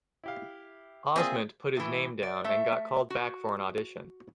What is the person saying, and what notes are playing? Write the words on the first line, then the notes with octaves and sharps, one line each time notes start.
Osment put his name down and got called back for an audition.
E4 G4 F5
A#3 C4 F4 G#4 D5 E5 D#6
A2 E3
D5
A3 E5
F#4